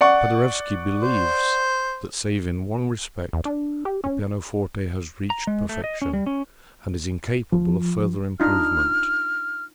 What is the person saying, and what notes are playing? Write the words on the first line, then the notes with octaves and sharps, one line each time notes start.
Paderewski believes that, save in one respect, the pianoforte has reached perfection and is incapable of further improvement.
D5 F#5 C#6
C5
E2
D4
G4
C#4
A#5
G#3
A3
D#5
C#4
G3
C#4
F3
D4 D#4 F4 F6